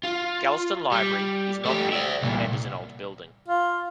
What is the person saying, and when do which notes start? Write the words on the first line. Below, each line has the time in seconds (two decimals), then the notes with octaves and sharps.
Galston Library is not big and is an old building.
0.03 F4
0.92 G3
1.65 A3 G4
1.93 D5 E5
2.22 C2 A#2
3.48 F4